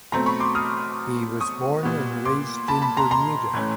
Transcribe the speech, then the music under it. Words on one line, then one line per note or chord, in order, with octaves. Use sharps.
He was born and raised in Bermuda.
B2 F#3 A3 C4 A#5 C6
B5 C#6
C6 D6
D#6 F6
C#6 D#6
A#2 G3 B3
C6 D6
A5 B5
A5 B5
A#5 C6
A#5 C6
A2 E3 A3 C#4